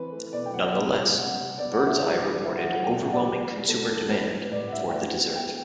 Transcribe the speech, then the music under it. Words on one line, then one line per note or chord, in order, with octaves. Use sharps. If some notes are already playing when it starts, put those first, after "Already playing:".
Nonetheless, Birds Eye reported "overwhelming consumer demand" for the dessert.
Already playing: E3 C4 B4
A3
B2 D5
G5
B2 F#5
C4
G3
C3 F#5
C3
B3 D5
F#5
G3
E5
E3 B4
E3
A3 E5
F#5
F#3
F#5
C4 G5
F#5
A2
D5
E3 G4
B3
B3 A4
E3
C4 B4
G3
A2 D5
F#5
A2 E5
G5
E3 F#5
B3
B3 G5